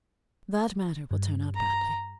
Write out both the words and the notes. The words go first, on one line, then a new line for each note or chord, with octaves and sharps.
That matter will turn out badly.
G2
A#5